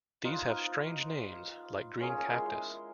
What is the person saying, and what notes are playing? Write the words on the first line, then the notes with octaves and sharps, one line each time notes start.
These have strange names like Green Cactus.
D#4 F4 B4 C5
C#4 F4 G#4 A#4
G#3 E4 C6